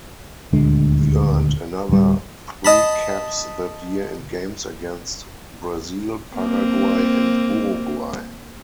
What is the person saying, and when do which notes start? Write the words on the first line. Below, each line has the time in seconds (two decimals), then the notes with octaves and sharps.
He earned another three caps that year in games against Brazil, Paraguay and Uruguay.
0.53 D#1 D2 G#3 D4
1.89 D1 G3
2.65 D#5 A5 B5
6.35 A#3 C4